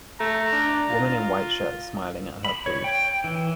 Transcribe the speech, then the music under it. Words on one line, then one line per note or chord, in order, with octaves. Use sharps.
Woman in white shirt smiling at her food.
A3 A#5
D4
F4
B5
C#5
G5
E3